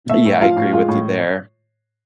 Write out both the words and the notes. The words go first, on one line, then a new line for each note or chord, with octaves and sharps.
Yeah, I agree with you there.
A3 E5
A2
F3 F4 F5
A2
G#3 F4 F5
A2